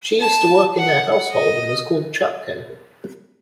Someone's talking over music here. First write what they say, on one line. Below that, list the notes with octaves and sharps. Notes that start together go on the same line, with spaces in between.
She used to work in their household and was called Chapko.
A5
F#5
D#5